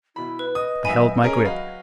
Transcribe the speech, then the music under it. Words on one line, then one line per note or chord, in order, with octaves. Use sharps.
I held my grip.
B2 E4 B5
B4
D#5 D#6
F#2 D#3 E5 G#5 B5
C#4 G#4 A#4
F#3 D#5 F5 B5